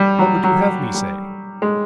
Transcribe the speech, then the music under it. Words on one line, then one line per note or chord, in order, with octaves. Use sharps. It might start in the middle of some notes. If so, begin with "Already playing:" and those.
What would you have me say?'
Already playing: G3
F#3
F#3
G3
G#3